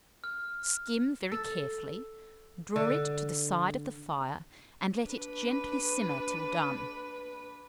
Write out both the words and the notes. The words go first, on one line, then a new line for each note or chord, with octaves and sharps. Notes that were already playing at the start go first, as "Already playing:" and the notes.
Skim very carefully, draw it to the side of the fire, and let it gently simmer till done.
F6
A4
D3
D4 B4